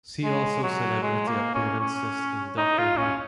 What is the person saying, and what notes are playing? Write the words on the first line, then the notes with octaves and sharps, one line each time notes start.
See also Celebrity appearances in Doctor Who.
G#3
F#3
G#3
A#3
C#4
C#4
D#4
F4
C#4